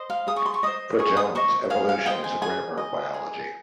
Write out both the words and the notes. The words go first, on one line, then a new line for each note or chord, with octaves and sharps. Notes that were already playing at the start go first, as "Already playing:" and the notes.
For Jones, 'evolution is the grammar of biology'.
Already playing: C5 D#5
F5
G#4 D#6
C#6
C6
C#6
C5 D#5 D#6
G#4 C#6
D#6
C5 D#5 C#6
G#4 F5
F5
C5 D#5 G5
G#5
G#4 G#5
D#5
G#4